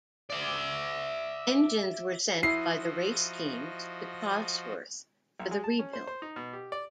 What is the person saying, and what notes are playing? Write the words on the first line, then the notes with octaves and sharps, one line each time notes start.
Engines were sent by the race teams to Cosworth for the rebuild.
D5 E5
F3 E4 F#4 D#5 C7
B1
G#3
A5
C#4
C5
C5
D#4
B2
G4
D5